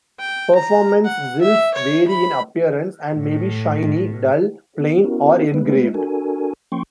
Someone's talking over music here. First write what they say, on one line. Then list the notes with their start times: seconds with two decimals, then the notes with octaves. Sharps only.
Performance zills vary in appearance and may be shiny, dull, plain or engraved.
0.19 G5
0.55 A#5
1.05 F#5
1.41 E5
1.74 C#5
2.08 B5
3.16 A2
4.80 B3
5.04 B3 C#4 E4 F#4 A#4
5.54 G#3 A3 B3 B4
5.94 D4 F#4 A4 A#4 G#5
6.72 F3 A#3 C#4 G5 C6 C#6